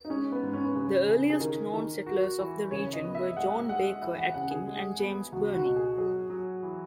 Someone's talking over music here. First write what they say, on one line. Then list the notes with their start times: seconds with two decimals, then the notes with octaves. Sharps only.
The earliest known settlers of the region were John Baker Atkin and James Burney.
0.05 D#4
0.10 G#3 C#4
0.32 B3
0.43 G#2
0.53 C#4
0.65 B3
0.75 C#3 C#4
1.08 C#3
1.30 G#4
1.40 D#3 A#4
1.73 D#3
2.06 F#4
2.38 E3
2.71 C#3 C#5
2.93 D#5
3.04 B3
3.15 E5
3.37 G#3 F#5
3.69 G#3 F#5
4.02 E3 E5
4.18 F#5
4.34 C#3 F#5
4.51 G#4
4.67 G#3
4.99 B3
5.32 C#2 F#4
5.54 F#4
5.65 B2
5.76 G#4
5.97 F#3 G#4
6.30 F#3
6.63 E3